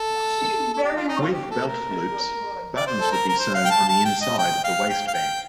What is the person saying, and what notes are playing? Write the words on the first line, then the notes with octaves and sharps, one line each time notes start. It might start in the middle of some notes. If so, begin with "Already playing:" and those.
With belt loops, buttons would be sewn on the inside of the waistband.
Already playing: A4
A4
G4
F4
D#4
F4
G4
A4
A#4
D5
C5
A4
A#4
A#4
C5
F5
G5
A5
A5
G5
D#5
G5
F5
G5
F5
G5